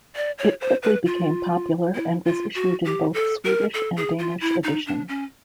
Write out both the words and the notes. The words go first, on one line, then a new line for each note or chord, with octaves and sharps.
It quickly became popular and was issued in both Swedish and Danish editions.
D5
C#5
C5
B4
F4
E4
F4
F#4
G4
A4
A#4
A4
G#4
F4
E4
D#4
D4
C#4